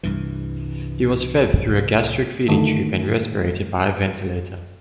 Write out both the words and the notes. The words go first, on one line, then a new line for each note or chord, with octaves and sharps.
He was fed through a gastric feeding tube and respirated by a ventilator.
C2 G2 E3
D3 D#3 A3